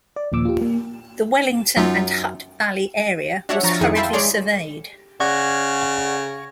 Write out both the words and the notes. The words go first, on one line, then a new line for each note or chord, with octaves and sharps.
The Wellington and Hutt Valley area was hurriedly surveyed.
D5
D#2 A#2 F3 D6 E6
F4 G4
A#3
F#2 F#3 D#4 F4
D4 F#4 C#5 E5 F#5
F3 A#5 C#6 A6
F2 D#3 E4 G#4 C#7
E5 F5 G5 A5 B5 C6
G#3 G#4 C#5 D5 C6 D7
C#3 D5 F#5 C#6 G#6 A#6